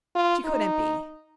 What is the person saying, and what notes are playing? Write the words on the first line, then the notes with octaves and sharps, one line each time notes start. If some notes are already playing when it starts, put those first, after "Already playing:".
She couldn't be.
F4
D#4